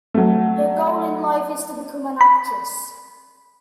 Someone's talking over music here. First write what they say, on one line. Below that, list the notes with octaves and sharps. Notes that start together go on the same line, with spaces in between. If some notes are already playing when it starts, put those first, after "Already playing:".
Her goal in life is to become an actress.
F#3 A3
B5